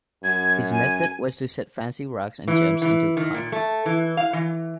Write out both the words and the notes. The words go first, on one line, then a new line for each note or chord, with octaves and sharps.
His method was to set fancy rocks and gems into concrete.
F#2 G#6
G#5
E3
E3
D#3
A#2
A3
E3
F5
E3